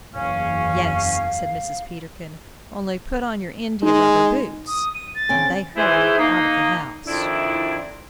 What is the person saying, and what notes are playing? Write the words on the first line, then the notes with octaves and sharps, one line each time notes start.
"Yes," said Mrs. Peterkin, "only put on your india-rubber boots." And they hurried out of the house.
F#1 E2 C#4 F5
G#3 D#4
D#6
D#7
A6
C#3 C4 G#5
G#2 E3 E4 G#4 C5
A#3 D#4
F2 D#3 D4 E4